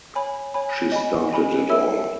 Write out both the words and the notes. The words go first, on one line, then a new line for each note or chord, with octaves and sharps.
She started it all.
C#5 G#5 B5
C#5 G#5 B5
D#5 G#5 B5
D#5 G#5 B5
A#4 C#5 E5 B5 E6